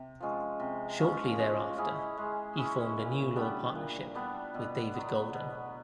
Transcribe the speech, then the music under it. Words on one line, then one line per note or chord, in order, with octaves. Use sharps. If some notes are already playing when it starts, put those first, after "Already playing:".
Shortly thereafter, he formed a new law partnership with David Golden.
Already playing: C3
F3 G#3 C#4
C3
F3 G#3 C#4
G#3
C#4 E4 G#4
G#3
C#4 E4 G#4
A#2
G3 B3 D4
A#2
G3 B3 D4
B2
F#3 B3
B2